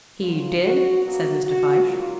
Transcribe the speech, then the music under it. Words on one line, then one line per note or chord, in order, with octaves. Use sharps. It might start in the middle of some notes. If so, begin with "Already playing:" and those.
"He did," said Mr. Fyshe.
F#2 C#3 F#3 F4
F#4
B2 F#3 A#3 F#4
F#4
G#2 F#3 A#3 F4